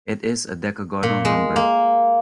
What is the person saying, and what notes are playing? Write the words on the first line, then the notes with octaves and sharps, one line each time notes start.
It is a decagonal number.
A#2
G#3
A#3